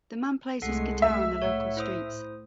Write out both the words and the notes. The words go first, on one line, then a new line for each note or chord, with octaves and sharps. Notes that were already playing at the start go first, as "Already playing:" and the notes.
The man plays his guitar on the local streets.
C2 G#3 A3 A4 F#5 C7
E5
A2 C#5 F#5
E4 C5 D#6